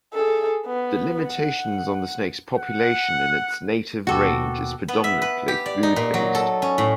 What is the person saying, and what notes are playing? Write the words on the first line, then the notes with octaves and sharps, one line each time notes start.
The limitations on the snake's population in its native range is predominantly food based.
G#4 A4
B3
F#5
F#5
D#2 B2 F#4 A4 F#5 G5 D6
B3
E5
B4
G4
D5
D#4
A#2
F#3
A4
C#4
A2